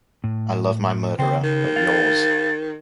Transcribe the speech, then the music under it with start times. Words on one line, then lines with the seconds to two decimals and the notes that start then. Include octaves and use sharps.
I love my murderer — but yours!
0.24 A2
1.19 C#3 C4
1.43 D#3
1.76 F5 A6